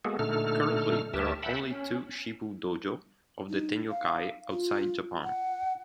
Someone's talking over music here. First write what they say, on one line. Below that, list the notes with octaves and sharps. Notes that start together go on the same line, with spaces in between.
Currently there are only two shibu dojo of the Tenyokai outside Japan.
G#3 A#3 B3 F#4 G#4 A4
A#2 D3 A3 D#4 A4 F6
D2 G4 A#4 E5 A5
E5 F#5 G5 A5 B5
C#4
D#4
F5
F4
F#5